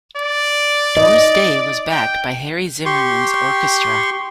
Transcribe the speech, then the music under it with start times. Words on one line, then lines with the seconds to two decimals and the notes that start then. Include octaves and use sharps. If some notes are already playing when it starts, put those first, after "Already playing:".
Doris Day was backed by Harry Zimmerman's Orchestra.
0.16 D5
0.97 D#5
1.91 G5
2.86 G4 C6 C#6